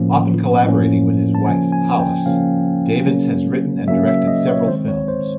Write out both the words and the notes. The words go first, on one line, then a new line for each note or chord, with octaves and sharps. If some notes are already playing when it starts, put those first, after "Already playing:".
Often collaborating with his wife, Hollace, Davids has written and directed several films.
Already playing: A2 F3 A#3 C#4
A2 F3 A#3 C#4
A5
C#3 F3 A#3 C#4 G#5
G#5
G5
C#3 F3 A#3 C#4 F5
C#3 F#3 A#3 C#4
C#3 F#3 A#3 C#4 E5
E5
D#5
C#5
D#3 G#3 C4 C5
C#5
C5